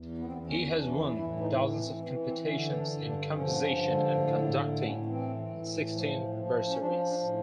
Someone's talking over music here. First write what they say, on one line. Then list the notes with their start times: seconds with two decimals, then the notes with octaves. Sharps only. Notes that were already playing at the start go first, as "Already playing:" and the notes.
He has won dozens of competitions in composition and conducting, and sixteen bursaries.
Already playing: E2
0.18 B3
0.25 C4
0.32 E2 B3
0.47 C#4
0.75 E3 D4
0.82 C#4
0.89 D4
0.97 E4
1.19 A2 E4
1.40 D#4
1.61 E3
1.83 C4
2.05 E3 C4
2.26 C4
2.47 D3 C#4
2.76 D4
2.91 G2
3.05 D4
3.34 F3 C#4
3.62 C#4
3.77 D3
3.91 G#3
4.19 A2 A3
4.41 A3
4.63 A2 A#3
4.85 C#4
5.06 E3 C4
5.49 A2
5.92 F3
6.35 F3
6.66 C#4
6.78 F3 D4
7.07 D4
7.21 A2